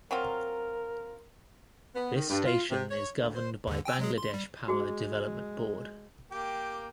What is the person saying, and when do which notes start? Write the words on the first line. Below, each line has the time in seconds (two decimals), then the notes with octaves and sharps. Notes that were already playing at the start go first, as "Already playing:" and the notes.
This station is governed by Bangladesh Power Development Board.
0.11 F#3 C4 F4 A#4
1.95 B3
2.15 D#3
2.30 G2
2.46 F4
2.71 C3
2.90 C#5
3.19 D2
3.35 C5
3.67 D#2 D3
3.85 G5 G#5 E6
3.99 F#3 G#3 G#4
4.18 C6
4.34 G3
4.68 G#3 F#4 G#4
6.32 A#3 G4 G5